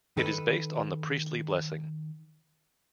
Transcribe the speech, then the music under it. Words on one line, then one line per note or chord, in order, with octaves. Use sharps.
It is based on the Priestly Blessing.
D#3 A4 B4